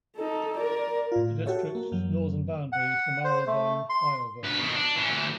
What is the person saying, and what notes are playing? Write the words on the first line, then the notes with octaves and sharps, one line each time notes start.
The district's northern boundary is the Marylebone flyover.
D#4 A4
A#4 D5
A2 F4
F#4 G4 A4 C#5 E5
A#3
F#2 E3 F#3 A#3
F#5
C5
A3
C6
D2 B4
B2 D#3
D4
E3 C#4
D2 E3